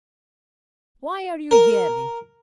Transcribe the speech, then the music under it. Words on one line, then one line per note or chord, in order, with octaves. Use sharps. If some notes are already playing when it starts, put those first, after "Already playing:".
Why are you yelling?
A#4